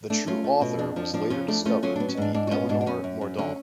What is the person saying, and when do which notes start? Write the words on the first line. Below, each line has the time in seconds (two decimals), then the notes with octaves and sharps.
The true author was later discovered to be Elinor Mordaunt.
0.10 A3 D4
0.27 A3 C#4 F4
0.44 A3
0.61 B2
0.79 F2 D4
0.96 F3 D4
1.14 F3 D4
1.30 F2 C#4 F4
1.48 A3 D4
1.65 A3 C#4 F4
1.83 F#3 C#4 F4
1.96 B3 D4
2.09 C#4
2.17 G#2 D4
2.34 G#2 D4
2.47 F#4
2.51 B3 C#4 F4
2.69 G#2 D4
2.81 D4
2.86 F#2 C#4
3.04 F#2
3.21 F#2
3.38 D3 C#4